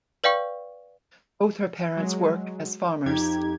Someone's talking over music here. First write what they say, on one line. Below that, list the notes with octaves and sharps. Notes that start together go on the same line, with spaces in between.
Both her parents work as farmers.
B4 D5 F5 G5 C#6
F#3 G#3
F2 D#4 G4 G#6